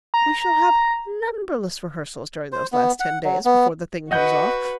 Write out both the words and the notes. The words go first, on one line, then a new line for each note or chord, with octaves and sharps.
We shall have numberless rehearsals during those last ten days before the thing comes off.
A#5
C5
B3
F#5
F#3
B3
F#4 B4 D#5 F#5 G6